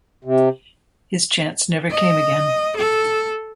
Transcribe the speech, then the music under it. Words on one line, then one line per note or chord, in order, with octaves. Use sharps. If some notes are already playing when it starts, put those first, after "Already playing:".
His chance never came again.
C3
D#5
A4